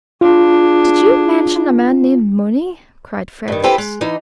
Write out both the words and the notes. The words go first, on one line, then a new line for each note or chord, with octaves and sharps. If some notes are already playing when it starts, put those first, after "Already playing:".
"Did you mention a man named Mooney?" cried Fredericks.
D4 F4 G#4
G2 D#3
C4 E4 G4 A4 B4 C5
G#3
E3 D#4